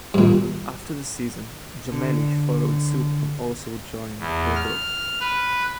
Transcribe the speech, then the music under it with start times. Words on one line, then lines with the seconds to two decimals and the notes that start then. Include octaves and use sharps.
After the season, Jammeli followed suit and also joined Bordeaux.
0.14 G2 A#2
1.92 D3
4.19 E2
4.56 F6
5.20 B4